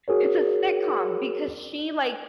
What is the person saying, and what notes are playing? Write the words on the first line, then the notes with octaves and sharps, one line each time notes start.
it's a sitcom because she, like,
F#4 G#4 A#4 C#5